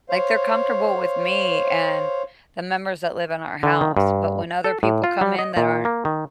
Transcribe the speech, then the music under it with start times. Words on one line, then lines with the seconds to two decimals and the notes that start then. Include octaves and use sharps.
Like, they're comfortable with me and the members that live in our house, but when other people come in that aren't
0.09 C5 C#5 F5
3.63 D3
3.81 D#3
3.97 G2
4.64 A4
4.83 A2
5.04 F4
5.21 G3
5.39 D#5
5.57 A#2
5.85 A#3
6.05 D#3